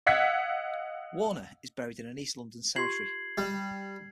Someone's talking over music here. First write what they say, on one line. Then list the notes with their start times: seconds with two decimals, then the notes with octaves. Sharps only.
Warner is buried in East London Cemetery.
0.06 D#5 F5 F#5 E6 G#6 B6
2.76 F4 G4 C6 G#6 C7 F#7
3.38 G3